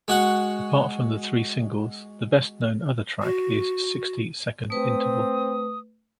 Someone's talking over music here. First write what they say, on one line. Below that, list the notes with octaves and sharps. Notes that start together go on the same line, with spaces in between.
Apart from the three singles, the best known other track is "Sixty Second Interval".
G#3 F#4 F#5
F#4
A3 C4 B4 D#6